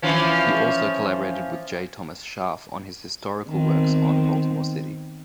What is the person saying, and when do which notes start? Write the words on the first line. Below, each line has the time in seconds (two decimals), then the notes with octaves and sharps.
He also collaborated with J. Thomas Scharf on his historical works on Baltimore City.
0.02 E3 F3 C#4
3.47 D#3 B3 C4